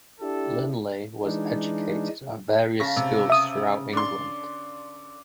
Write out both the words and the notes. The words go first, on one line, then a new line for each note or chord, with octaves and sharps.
Linley was educated at various schools throughout England.
D4 E4 G4 A4
E3 G#3 D4 D#4
C#3 F5 A5 C#6 A#6 B6
C3
E5 D#6
D3 D5 C6